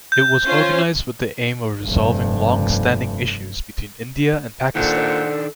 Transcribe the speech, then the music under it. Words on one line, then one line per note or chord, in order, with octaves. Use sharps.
It was organized with the aim of resolving long-standing issues between India and Pakistan.
G6
C#4 F4 C5
F1 G2
A#2 D#3 D4 A4 C5 F#5